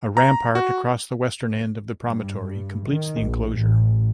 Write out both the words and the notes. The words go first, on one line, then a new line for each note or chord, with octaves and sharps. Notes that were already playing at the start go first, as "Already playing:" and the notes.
A rampart across the western end of the promontory completes the enclosure.
A#5
F#4
G2
G2
D#3
A#1
A1